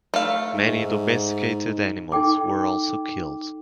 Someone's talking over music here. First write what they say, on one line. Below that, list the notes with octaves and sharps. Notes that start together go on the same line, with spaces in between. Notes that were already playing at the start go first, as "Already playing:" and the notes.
Many domesticated animals were also killed.
A3 F5
G#2
D#4 A4 G5 D6